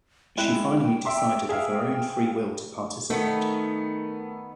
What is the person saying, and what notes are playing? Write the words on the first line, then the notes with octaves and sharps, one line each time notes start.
She finally decided of her own free will to participate.
G#3 E4 G5 F#6
E5 C6 D6
G#4 E5 F5
D#3 A3 B3